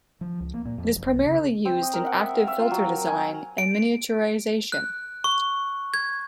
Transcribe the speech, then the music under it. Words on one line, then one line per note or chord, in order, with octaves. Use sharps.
It is primarily used in active filter design and miniaturization.
F3
C#2
A#3
A#2
F2
F#1
C2
C#3
C4
D#5
A#4
F#5
E5
F5
E5
F4
F#3
A#4
G#5
A#5
D7
F#6
C#6
G#6